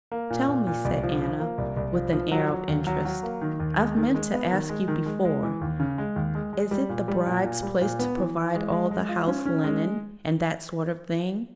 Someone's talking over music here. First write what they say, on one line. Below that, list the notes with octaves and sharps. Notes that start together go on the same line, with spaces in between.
'Tell me,' said Anna, with an air of interest; 'I've meant to ask you before: Is it the bride's place to provide all the house-linen, and that sort of thing?'
A#3
A#2
A#2
A#2
C2
F3
F3
A#3
C2
C2
F3
F3
F#3
F#3
D#2
F#3
F#3
A#3
D#3
D#2
G#3
D#3
G#3
B3
D#3
G#3
D#3
G#3
G#3
E3
D#2
C#3
G#3
D#2
G#3
G#3
G3
A#2
G3
A#2
A#2
G3
A#2
B3
E3
E3
G#3
G#3
G#3
F4
C#4
C#4
G#3